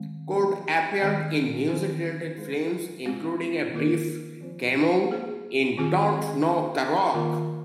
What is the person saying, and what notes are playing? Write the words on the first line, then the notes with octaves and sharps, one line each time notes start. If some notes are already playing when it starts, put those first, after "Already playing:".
Cole appeared in music-related films, including a brief cameo in "Don't Knock the Rock".
Already playing: D#3 G#3 C4
F3 A#3 G#4 C5
D#3 G#3 C4
D#3 C4 D#4 C5
G#3 D#4 G#4 C5
G#3 C4 F4
D#3 A#3 F4 A#4
F3 C4 F4 C5
A#3 G#4 C5
D#3 C4 F4 G#4
A#3 F4 G#4
D#3 A#3 F4 A#4